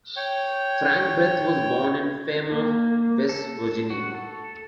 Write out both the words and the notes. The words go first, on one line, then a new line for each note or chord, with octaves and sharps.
Frank Breth was born in Fairmont, West Virginia.
C#5 G5
A#3
A4
F#4
A4